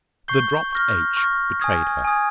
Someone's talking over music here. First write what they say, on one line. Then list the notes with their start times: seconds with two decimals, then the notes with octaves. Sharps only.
The dropped "h" betrayed her.
0.28 C#6 G6 C7 G7
0.73 C#6 F6 A#6
1.17 C#6 F6 A#6
1.61 G#5 D#6 G#6
2.04 G#5 D#6 G#6